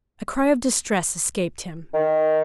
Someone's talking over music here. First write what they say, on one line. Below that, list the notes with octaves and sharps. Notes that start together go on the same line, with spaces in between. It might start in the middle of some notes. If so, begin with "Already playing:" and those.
A cry of distress escaped him.
D#3